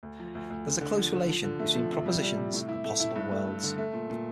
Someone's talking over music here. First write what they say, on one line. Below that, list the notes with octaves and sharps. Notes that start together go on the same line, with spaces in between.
There is a close relation between propositions and possible worlds.
D2
F3
D2
D2
D3
D3
F3
D3
F3
D3
A3
F3
C3
G3
G3
C3
A2
E4
A3
E4
G2
A3
A3
D3
A3
A#2
A#2